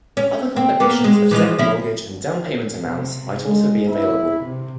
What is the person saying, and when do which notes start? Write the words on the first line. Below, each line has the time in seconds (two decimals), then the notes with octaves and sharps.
Other combinations of second mortgage and downpayment amounts might also be available.
0.17 C#4
0.56 C4
0.80 A#3 B3
1.04 G#3
1.31 E3 F3 G#3
1.59 F3 E4
2.83 C3
3.44 G#3
3.92 E4
4.44 C3